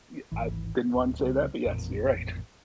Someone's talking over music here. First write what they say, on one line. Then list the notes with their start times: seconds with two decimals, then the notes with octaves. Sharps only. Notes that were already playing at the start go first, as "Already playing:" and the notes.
y I didn't want to say that, but yes, you're right.
0.32 D1 G#1 E3
0.95 D1
1.20 C2 C#3 C4
1.66 A1 F2 A#2